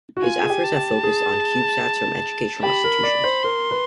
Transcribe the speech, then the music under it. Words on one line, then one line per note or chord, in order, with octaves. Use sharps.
His efforts have focused on CubeSats from educational institutions.
F#4
F4 G#5
G#4
G4
A5
G4
G#4
G4 B5
A#4
D5
C5
A#4 C6
B4